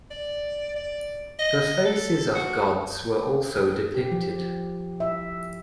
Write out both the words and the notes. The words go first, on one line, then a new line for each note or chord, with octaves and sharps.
The faces of gods were also depicted.
D5
D5
D#5
A4
F#4
G4
F3
E5